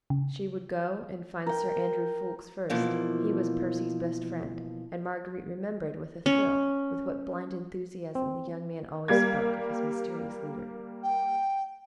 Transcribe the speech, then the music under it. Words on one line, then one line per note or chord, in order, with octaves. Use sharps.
She would go and find Sir Andrew Ffoulkes first; he was Percy's best friend, and Marguerite remembered, with a thrill, with what blind enthusiasm the young man always spoke of his mysterious leader.
C#3
A#4 G5
B2 E3 F3 A#3
C#4
C4
G3 A#3 G#6
G5